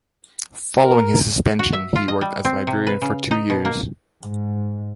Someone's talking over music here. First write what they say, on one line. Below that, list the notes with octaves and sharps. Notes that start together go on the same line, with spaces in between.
Following his suspension, he worked as a librarian for two years.
A#4
F#4
E5
F4
D#5
G3
C4
C3
B4
C#3
D#4
B2
A#3
G#2